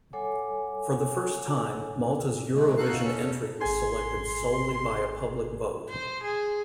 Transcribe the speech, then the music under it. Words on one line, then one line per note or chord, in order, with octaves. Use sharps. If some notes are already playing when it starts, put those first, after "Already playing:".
For the first time, Malta's Eurovision entry was selected solely by a public vote.
G3 A4 C#5 F#5 G#5 D6
F#3 G#3 A3
D#4 F#4 A4 F5 F#6
E2 C#3 C#4 A4
G#1 G#4 G#5 C6
C5
G#4